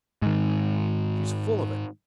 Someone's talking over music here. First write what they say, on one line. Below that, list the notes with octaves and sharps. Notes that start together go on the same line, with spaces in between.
She's full of it.
G#2 D#3